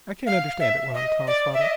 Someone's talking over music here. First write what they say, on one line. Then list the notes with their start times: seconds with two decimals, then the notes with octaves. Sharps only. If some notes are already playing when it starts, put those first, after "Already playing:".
"I can't understand it," went on Tom's father.
0.27 F5
0.60 E5
0.94 D#5
1.27 D5
1.53 E5
1.61 D#5